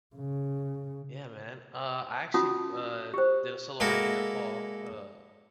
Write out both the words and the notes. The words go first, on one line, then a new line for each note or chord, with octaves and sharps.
Yeah man, uh, I actually, w uh, did a solo hike in Nepal, uh
C#3
C#4 F4 F#4 A5 D#6
G4 C5
G#3 A#3 E4 F#4 A4 A#4